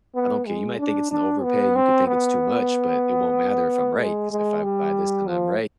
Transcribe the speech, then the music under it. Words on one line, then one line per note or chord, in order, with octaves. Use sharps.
I don't care you might think it's an overpay, you could think it's too much, but it won't matter if I'm right." 'Cause if I buy this and I'm right
B3
G#3
D4
D4
B3
C4
B3
G#3
G#3
G3
F3